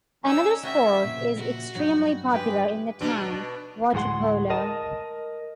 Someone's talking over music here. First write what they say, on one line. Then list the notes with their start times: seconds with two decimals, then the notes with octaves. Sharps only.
Another sport is extremely popular in the town - waterpolo.
0.25 C#4 D#4 A#4 D5 E6
0.63 G3 C#4 F#4 E5
1.05 A#2 C#3 F3
1.36 F#4 A#4
1.75 G2 F#3 G3 D#4
2.32 G#3 G4 B4
3.01 B2 D4
3.94 D2 A2 G#3 F#5 C6
4.50 A#4 D#5 A5